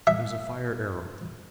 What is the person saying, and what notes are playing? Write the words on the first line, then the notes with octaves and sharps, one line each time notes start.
It was a fire-arrow.
E5